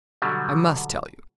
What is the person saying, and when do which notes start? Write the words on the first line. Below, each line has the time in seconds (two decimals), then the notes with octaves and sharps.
I must tell you.
0.22 B2 D3 F#3 G3